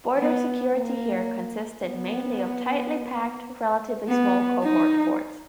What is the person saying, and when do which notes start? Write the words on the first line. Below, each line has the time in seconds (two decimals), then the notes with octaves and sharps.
Border security here consisted mainly of tightly packed, relatively small cohort forts.
0.18 B3
0.73 A#3
1.85 B3
4.08 B3
4.63 D#4